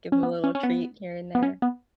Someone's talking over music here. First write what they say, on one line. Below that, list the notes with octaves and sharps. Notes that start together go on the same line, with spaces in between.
Give him a little treat here and there.
C#4
B3
C#4
C#4
B3
B3
C#4
B3